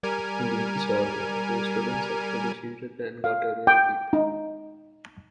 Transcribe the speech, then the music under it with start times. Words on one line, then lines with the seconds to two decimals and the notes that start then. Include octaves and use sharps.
In the episode, the students actually cheated and got away with it.
0.03 G3 A#4 G#5
3.24 F5
3.67 G5
4.13 D#4